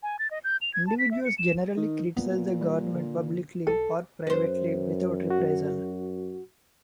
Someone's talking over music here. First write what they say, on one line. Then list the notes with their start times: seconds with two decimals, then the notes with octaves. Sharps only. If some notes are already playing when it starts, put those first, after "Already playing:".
Individuals generally criticize the government publicly or privately without reprisal.
0.03 G#5
0.19 A6
0.31 D#5
0.44 G6
0.61 F7
0.73 G#6
0.87 A5
0.99 B6
1.11 E5
1.25 C#7
1.38 E7
1.77 D#3
2.17 A#2 B3
2.61 G3
2.95 D3
3.67 B1 A4
4.27 F#2 B4 C5
5.30 F#4